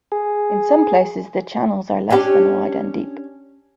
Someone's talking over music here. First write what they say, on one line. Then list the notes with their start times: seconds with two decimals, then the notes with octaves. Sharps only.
In some places the channels are less than wide and deep.
0.12 G#4
2.10 C#4 D4 G4